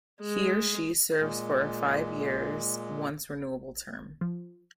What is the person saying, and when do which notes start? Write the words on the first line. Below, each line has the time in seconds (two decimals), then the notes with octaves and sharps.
He or she serves for a five years, once renewable term.
0.21 G#3
1.20 A#2 G#3
4.21 F3